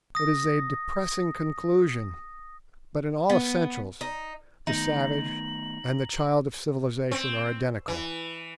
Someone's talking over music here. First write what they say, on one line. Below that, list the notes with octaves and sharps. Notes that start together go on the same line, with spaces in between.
It is a depressing conclusion, but in all essentials the savage and the child of civilization are identical.
D#6 A#6
B3
D#4
D#3 A3 B3 D#4 A#5 A#6 F7 F#7
C4
E3